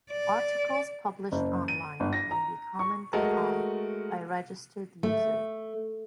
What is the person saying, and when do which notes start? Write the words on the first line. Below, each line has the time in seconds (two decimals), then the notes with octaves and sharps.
Articles published online can be commented on by registered users.
0.12 D5
1.32 F#1
1.68 D#7
2.00 G1
2.13 A#6
2.31 A#5
2.79 C#6
3.13 G#3 A3 F#4 A#4 D#5 A5
5.03 A3